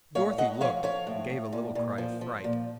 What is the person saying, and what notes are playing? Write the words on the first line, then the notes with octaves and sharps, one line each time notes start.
Dorothy looked, and gave a little cry of fright.
A2 C#5 F5
A2 D#5 F#5
F3 C#5 F5
F3 C#5 F5
A2
A2
A#2
A#2
F3
F3
A#2